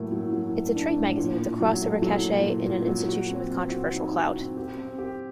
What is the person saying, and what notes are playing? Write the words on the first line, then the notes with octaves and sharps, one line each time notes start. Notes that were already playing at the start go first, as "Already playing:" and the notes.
It's a trade magazine with crossover cachet and an institution with controversial clout.
Already playing: A2 F#3 A#3
F#3
F#3
A2
D4
A2
A#2
A#2
F#3
A3
F#3
A#2
A#2
A#2
F#3
F#4
C4
C4
F#4
D#4
F#4
C4
G4
C4
G4